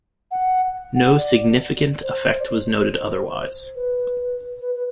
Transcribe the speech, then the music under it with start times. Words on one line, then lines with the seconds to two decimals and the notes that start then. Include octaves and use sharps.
No significant effect was noted otherwise.
0.31 F#5
0.96 F#5
1.17 D5
2.03 C5
2.39 D5
2.46 C5
3.75 B4
4.61 B4
4.75 B4